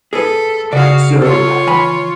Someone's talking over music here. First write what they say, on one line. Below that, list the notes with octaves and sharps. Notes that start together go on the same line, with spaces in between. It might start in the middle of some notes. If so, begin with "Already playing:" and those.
so I
G#4 A4 B4
C#3 F#4 G#4 D5 F5
F4 A4 C#5
E3 G#5 B5